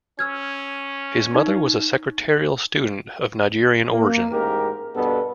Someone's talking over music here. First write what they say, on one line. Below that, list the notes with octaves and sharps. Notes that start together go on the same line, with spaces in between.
His mother was a secretarial student of Nigerian origin.
C#4 E6 F6 G#6
D#4
A#3
A1 G#2 G4 A#4
G2 B2 B3 A4 B4